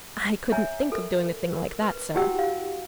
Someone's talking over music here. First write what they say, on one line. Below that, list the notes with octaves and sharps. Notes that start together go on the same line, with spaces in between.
"I couldn't think of doing a thing like that, sir."
C#5 E5 G#5 A#5
A4 A#4
A#4
B4
E4 F#4 G4 F#5 G5 E6
F5